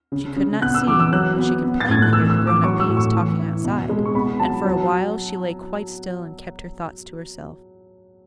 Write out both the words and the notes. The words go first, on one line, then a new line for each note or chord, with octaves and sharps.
She could not see, but she could plainly hear the grown-up Bees talking outside, and for a while she lay quite still and kept her thoughts to herself.
C#3
C#3
B3 F#6
E6
E3 D6
E6
F#3 F#6
B3
B3
A6
A2 G#6
F#6
E3 E6
E6
E3
D6
F#3 C#6
E6
A2
C#6
E3
E4
B2
G#3
C#6
B3 B5
F#3 A5
F#3